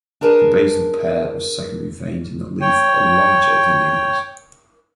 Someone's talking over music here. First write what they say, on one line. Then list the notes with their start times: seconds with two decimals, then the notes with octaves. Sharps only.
The basal pair of secondary veins in the leaf are larger than the others.
0.21 D4 G#4 A#4 B4 A5
2.61 C#5 G5